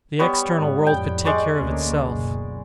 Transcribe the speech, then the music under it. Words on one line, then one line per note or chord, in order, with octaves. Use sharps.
The external world could take care of itself.
G3 B3 C#5
G#2
F2 A2 G5
G#3 D5 C#6
D2 A#3 C#4
F#1 B2